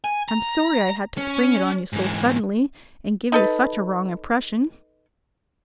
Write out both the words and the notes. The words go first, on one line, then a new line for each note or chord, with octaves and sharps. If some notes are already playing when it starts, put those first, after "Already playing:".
I'm sorry I had to spring it on you so suddenly and give you such a wrong impression.
G#5
A#5
C#4
G#2 E3
D#4 A4 B4